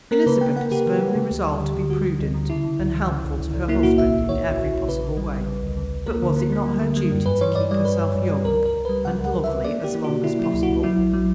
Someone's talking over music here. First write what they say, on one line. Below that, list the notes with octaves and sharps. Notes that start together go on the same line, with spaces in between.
Elizabeth was firmly resolved to be prudent and helpful to her husband in every possible way; but was it not her duty to keep herself young and lovely as long as possible?
A#3 A#4
C#3 B4
A#3 G5
A#3 F#5
C#3 G4
E3
A#3
C#3
D2
G3
D3
D3
G3 F#4
G3
D2
D3
C#3 E4
C#3
C#2
E3
C#3
C#2
C#2
C#2
A#3 E4
A#2 F#4
A#1 E5
A#1
A#1 C#5
A#1
A#1
A#1
C#3 B4
C#3
G3
G3
C#3
D2
C#3
D2
A#3 A#4
D3
A#3
A#3
G3
D3
G3
F#2
G2 B4
E3 C#5
G2 D5
G3 D5
G2 B4
G2
G2
G3
C#2 A#4
C#2 A#4
C#2
G3 B4
C#3 F#5
C#2
F#5
C#2
C#3 E5
A#3 D5
A#3 G4
A#3
B2 F#4
A#3 E4
F#3 E4
C#2
F#4
C#2
F#3 E4
A#1
F#3